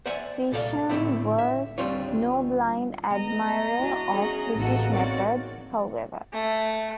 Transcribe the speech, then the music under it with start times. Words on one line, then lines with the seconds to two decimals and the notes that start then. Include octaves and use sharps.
Sisson was no blind admirer of British methods, however.
0.06 C5 D5 E5 F#5 G#5
0.52 C2 A#2 A4 D5 F5
0.90 A2 D3 D#3 A3 C4 E4
1.39 E5
1.78 D2 G3 C4 D4 F4 C#5
3.11 G#3 B3 D#5 A#5
3.79 D4 E4 F#4
4.12 C#4 G#4
4.56 A1 D2 A#3 B3 D#4 F#4 A4
4.92 C4 F#4 A#4 C#5 D5
6.33 A3